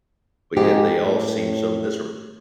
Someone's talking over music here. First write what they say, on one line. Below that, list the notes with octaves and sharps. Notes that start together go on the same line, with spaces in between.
but yet they all seem so miserable.
G#2 G4
A2